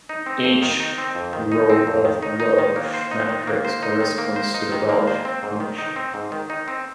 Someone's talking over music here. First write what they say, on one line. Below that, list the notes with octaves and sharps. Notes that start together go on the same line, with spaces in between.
Each row of a Walsh matrix corresponds to a Walsh function.
D#4
C4
F2
D#3
D#4
C4
F2
D#3
D#4
C4
F2
D#3
D#4
D#4
D#3
A#3
C5
D#4
D#3
A#3
C5
D#4
D#3
A#3
C5
D#4
D#3
A#3
C5
C4
G#2
D#3
D#4
C4
G#2
D#3
D#4
C4